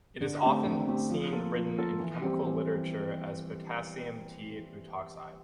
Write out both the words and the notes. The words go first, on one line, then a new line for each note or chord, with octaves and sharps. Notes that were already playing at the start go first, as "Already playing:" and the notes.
It is often seen written in chemical literature as potassium "t"-butoxide.
D3
A3 C4 G4
D3
A3 C4 G4
F3
A#3 F4 A4
F3
A#3 F4 A4
E3
G3 C4 G4
E3